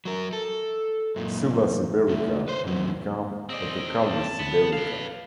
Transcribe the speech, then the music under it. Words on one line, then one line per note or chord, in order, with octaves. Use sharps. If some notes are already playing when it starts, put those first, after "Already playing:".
"Scilla siberica" would become "Othocallis siberica".
F#3 A#4
A4
F#2 A#2
C2 A3
B4 C5
G#2 F#3
C4 D5 D#5
A5
B3
B4 F5